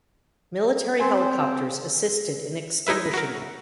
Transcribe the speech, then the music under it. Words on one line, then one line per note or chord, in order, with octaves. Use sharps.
Military helicopters assisted in extinguishing it.
C4 G#5 C6
G#3 D#4 E4 B4 E5
F#4 A#4